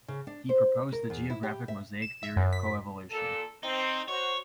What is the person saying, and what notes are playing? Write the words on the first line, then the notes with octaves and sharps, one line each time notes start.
He proposed the geographic mosaic theory of coevolution.
C#3
D4
C5
A#4
E2
E4
G4
E5
E7
E5
F#2
B6
A#2 A4
C4 D#4
F#4 C5 C#5